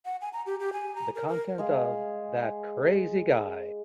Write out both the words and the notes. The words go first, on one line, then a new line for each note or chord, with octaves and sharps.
The content of That Crazy Guy!
F#5
G#5
A#5
G4
G4
G#5
A#5
A#4
A#4
G#3 G#4 F5